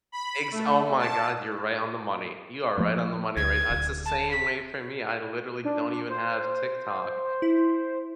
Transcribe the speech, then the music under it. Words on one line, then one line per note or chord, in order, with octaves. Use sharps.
Ex oh my god, you're right on the money, you are right on the money, right? That's the same way for me, I literally don't even have TikTok.
B5
A3
A5
F3 A3 A#3
D2 G#6
D1 D2
A5
B6
D4
C5
E4